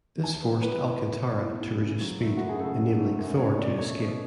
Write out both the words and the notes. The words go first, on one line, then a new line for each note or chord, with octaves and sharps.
This forced "Alcantara" to reduce speed, enabling "Thor" to escape.
E3 G#5
B3
A2 B4
A2
E3
B3
A2
A2
C#3
F#3
A3
E4
F#2 F#4
G#4
C#3 A4
F#3
A3
F#2
A3 C#5
B2 D5
A3 C#5
B2